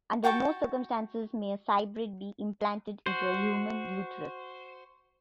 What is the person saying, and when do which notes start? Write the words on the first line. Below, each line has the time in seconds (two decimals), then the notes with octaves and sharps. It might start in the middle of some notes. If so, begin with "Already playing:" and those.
Under no circumstances may a cybrid be implanted into a human uterus.
0.24 F#4 G5 A5 C#6
3.06 F#4 C5